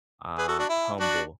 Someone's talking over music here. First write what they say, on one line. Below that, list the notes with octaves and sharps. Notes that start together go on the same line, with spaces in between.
uh, humble
G#4 B4
F#4 A4
D4 F#4
E4
D4 F#4